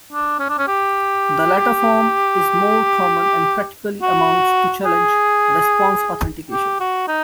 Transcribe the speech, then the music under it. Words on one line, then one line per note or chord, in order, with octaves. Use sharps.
The latter form is more common and practically amounts to challenge-response authentication.
D4
C#4
D4
C#4
G4
F#4
G#4
G4
F#4
D#4